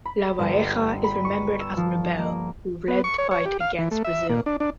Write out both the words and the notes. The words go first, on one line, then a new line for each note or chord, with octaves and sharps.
Lavalleja is remembered as a rebel who led the fight against Brazil.
B5
G1
B5
C#6
E6
F3
A#3
B3
C#6
C#5
C#5
G4
F5
E3
A3
E5
A#2
D4
D4